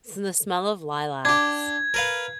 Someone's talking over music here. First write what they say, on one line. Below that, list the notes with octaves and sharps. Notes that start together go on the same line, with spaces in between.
S in the smell of lilacs.
D4 G4 G#6
A#4 B4 F5